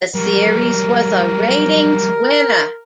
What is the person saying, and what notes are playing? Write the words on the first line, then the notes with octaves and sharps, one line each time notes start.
The series was a ratings winner.
F#3 G3 A#4